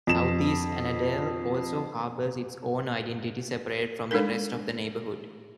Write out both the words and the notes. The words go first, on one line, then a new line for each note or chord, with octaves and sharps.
Southeast Annadale also harbors its own identity separate from the rest of the neighborhood.
F2 E7
G#3 D4 D#4 A4 A#4